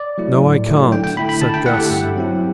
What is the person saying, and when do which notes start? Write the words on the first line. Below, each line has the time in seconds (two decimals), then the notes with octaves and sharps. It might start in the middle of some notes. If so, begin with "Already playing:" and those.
"No I can't," said Guss.
Already playing: D5
0.18 F#3 A3 E4
0.42 A2
0.67 F#3 A3 E4
0.92 D3 G5
1.04 G5
1.16 A3 E4 B5
1.29 B5
1.41 D3 A5
1.54 G5
1.66 A3 E4 F#5
1.74 A4
1.78 G4
1.90 G2
2.15 F#3 C4 E4